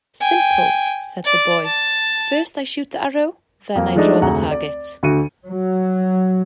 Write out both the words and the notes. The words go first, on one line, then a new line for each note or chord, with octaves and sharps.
"Simple", said the boy, "first I shoot the arrow, then I draw the target".
G5 G#5
D5
A5
F2 A#3
F3 G#3 A3 D4 D#4
F1 D2 G#4 F#5 A#5
D5
D2 D3 F#4 C#7 D#7
F#3